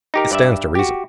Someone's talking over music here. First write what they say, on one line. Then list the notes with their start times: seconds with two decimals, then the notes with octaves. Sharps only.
It stands to reason.
0.14 D#4 G4 A#4
0.31 G2 D5 E5
0.75 F#4 G4